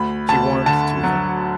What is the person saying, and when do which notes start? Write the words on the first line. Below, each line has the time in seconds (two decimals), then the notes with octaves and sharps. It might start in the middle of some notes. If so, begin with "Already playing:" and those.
She warmed to him.
Already playing: D2 B5
0.29 D2 A5
0.66 D3 A5
1.04 F#3